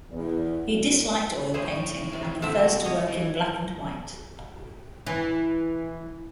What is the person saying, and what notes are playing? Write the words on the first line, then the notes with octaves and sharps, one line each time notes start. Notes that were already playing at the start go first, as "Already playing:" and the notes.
He disliked oil painting and prefers to work in black and white.
E2
F#1
E4 G#4 C5 C#5
C3
C3 A3 C4 F#4 E5
C#5 D#5
E3
E3